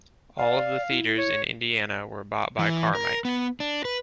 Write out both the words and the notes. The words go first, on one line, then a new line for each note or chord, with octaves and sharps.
All of the theaters in Indiana were bought by Carmike.
D5 F5
E4
C#5
E3
A#4
B3
D4
B4